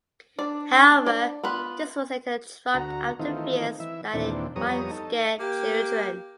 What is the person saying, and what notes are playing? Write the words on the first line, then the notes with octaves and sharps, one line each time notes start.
However, this was later dropped after fears that it might scare children.
D4 D5
D5
B3 F4 B4
D2 F#4 A#5
D#3 E3 A3 C4 D#4 F4
E3 E5
D#2 A#2 E3 C4 D4
F2 G3 B3 C#5 A#5 D#6
D#4 A4
A#3 G4